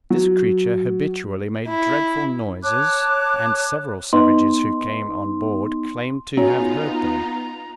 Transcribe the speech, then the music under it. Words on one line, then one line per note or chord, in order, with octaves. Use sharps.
This creature habitually made dreadful noises, and several savages who came on board claimed to have heard them.
F#3
E4
C#5 A5 D6 F#6
B3 D#4 C6
B3 C#4 D#4 F4 F#4 C#5 A#5